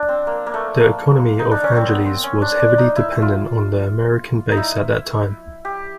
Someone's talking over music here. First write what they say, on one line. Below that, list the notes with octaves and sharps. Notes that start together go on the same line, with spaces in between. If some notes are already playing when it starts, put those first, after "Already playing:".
The economy of Angeles was heavily dependent on the American base at that time.
Already playing: D4
C4
A#3
A#3
A3
A#3
D#4
D4
C#4
C4
B3
C4
C#4
D4
D4
D#4
E4
F4
D#4
E4
G4